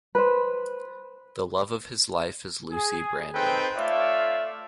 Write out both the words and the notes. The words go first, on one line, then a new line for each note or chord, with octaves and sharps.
The love of his life is Lucy Brandon.
B4 C5
G#4
C4 D#4 A4 B4 G5
A3 F4 C#5 D5 E5 F5